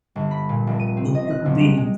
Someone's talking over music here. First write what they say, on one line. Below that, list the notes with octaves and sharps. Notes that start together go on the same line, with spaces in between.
the worker bees.
G1
B5
A#2
F1
D#7
C4
D#5
F#6
F#1
G3
G#3